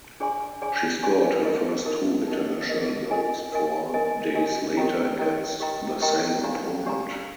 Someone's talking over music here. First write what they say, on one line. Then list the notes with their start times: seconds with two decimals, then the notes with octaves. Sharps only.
She scored her first two international goals four days later against the same opponent.
0.20 D4 G#4 D5 G#5 C6
0.61 D4 G#4 D5 G#5 C6
1.03 D4 G#4 D5 G#5 C6
1.45 D#4 A#4 D#5
1.86 D#4 A#4 D#5
2.28 D#4 A#4 D#5
2.69 D#4 A#4 D#5
3.11 A#4 D#5 G#5
3.52 A#4 D#5 G#5
3.94 A#4 D#5 G#5
4.35 A#4 D#5 G#5
4.77 G4 A#4 D#5 G5 A#5
5.19 G4 A#4 D#5 G5 A#5
5.60 G4 A#4 D#5 G5 A#5
6.02 G4 A#4 D#5 G5 A#5
6.43 D4 G4 D5 F5 A#5
6.85 D4 G4 D5 F5 A#5